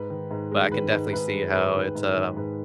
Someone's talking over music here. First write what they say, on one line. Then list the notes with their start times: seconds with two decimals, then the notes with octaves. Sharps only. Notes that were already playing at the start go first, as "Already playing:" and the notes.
but I can definitely see how it's, um,
Already playing: G#2 B4
0.10 D#3
0.31 G#2
0.51 G#3
0.72 D#3 B4
0.93 G#2
1.13 G#2 B4
1.34 G#3
1.54 G#2 B4
1.75 D#3
1.95 G#2
2.16 D#3
2.37 G#2 B4